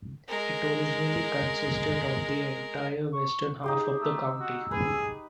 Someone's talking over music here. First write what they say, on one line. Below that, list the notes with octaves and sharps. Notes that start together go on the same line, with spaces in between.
It originally consisted of the entire western half of the county.
G#3 A#4
C#6
D#4 G4 G#4 C6
A3 E6
F#4
G#4 B4